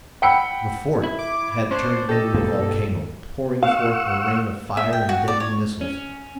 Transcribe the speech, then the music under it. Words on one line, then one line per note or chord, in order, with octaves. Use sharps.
The fort had turned into a volcano, pouring forth a rain of fire and deadly missiles.
F#5 G5 B5 E6 C#7
E4
D6
C#4 D4 C5 C#5
G4 A4 D#5
G2 B2 A#3
F5 F#5 C#6 E6
E5
G5
F#4
D5
C#5
C#4